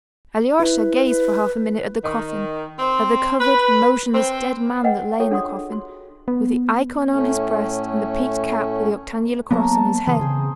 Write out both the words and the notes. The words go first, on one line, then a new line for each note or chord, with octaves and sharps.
Alyosha gazed for half a minute at the coffin, at the covered, motionless dead man that lay in the coffin, with the ikon on his breast and the peaked cap with the octangular cross, on his head.
E4 B4
B4
D#3
C4
B4
C4
B4 D#5 F#5 G5
F4 G#4 A4 C#5 G5 C#6
D4 G#4 F#5 C6 C#6 D#6
F#4 C6
B3
A2 A3 C#4
F#3 A#3 B3 A4 A#5 C#6
A#4 A5
C#3 E3 C6 D#6
C#3 C4 G#4 C5